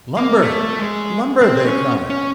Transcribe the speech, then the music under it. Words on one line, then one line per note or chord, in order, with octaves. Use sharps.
"Lumber! lumber!" they cried.
A#3
A3
G#3
C4
C#4
C#4